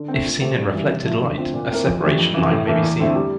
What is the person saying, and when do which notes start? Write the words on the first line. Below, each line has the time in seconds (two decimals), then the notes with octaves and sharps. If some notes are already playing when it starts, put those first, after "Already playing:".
If seen in reflected light, a separation line may be seen.
Already playing: D3
0.08 A3 C4
0.24 A#2
0.41 A3 C4 G4 C5
0.57 G2
0.73 E3 G3
0.90 C3
1.05 F3 A3 E4 A4
1.22 D3
1.38 A3 C4 F4
1.54 A#2
1.70 A3 C4 E4 A#4
1.86 F2
2.02 E3 A3 D4 G4
2.18 F2
2.34 C3 E3
2.50 A2
2.67 E3 A#3 E4 A4
2.83 E2
2.99 D3 A3 C4 E4
3.15 G3